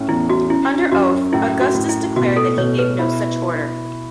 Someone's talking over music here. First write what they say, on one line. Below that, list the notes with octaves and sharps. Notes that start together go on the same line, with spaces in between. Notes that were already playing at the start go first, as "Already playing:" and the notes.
Under oath, Augustus declared that he gave no such order.
Already playing: A2 C#4
E2 E4
F#4
C#4 E4
F#2 F#4
A2 E4
F#4
A2
E4
B2 F#4
A4
B2 C#5
B4
E4